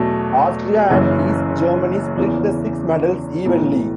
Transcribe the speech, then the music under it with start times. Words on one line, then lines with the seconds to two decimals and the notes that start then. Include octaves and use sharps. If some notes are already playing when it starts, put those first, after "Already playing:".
Austria and East Germany split the six medals evenly.
Already playing: E2 B2 F#3 A3
0.89 F#1 F#2 C#3 E3
2.17 E2 C#3 E3
3.45 B1 A2 E3